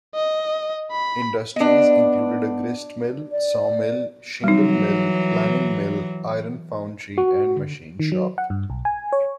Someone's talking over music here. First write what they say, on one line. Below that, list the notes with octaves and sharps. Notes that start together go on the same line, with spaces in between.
Industries included a gristmill, sawmill, shingle mill, planing mill, iron foundry and machine shop.
D#5
B5
B3 D4 D#5
D5
E3 F#3 G3 D#4
F#4
D3
D#3
F#3
F#5
G2
B1
G#5
C#5